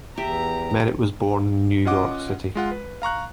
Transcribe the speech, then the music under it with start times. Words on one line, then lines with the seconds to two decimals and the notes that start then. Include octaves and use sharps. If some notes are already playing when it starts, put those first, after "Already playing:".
Merritt was born in New York City.
0.17 E2 G4 E5 A#5
1.85 C#4 F4 D#5 F#5 D6
2.55 G#3 F4 F#5
2.71 B4
3.02 F5 A#5 C#6 F#6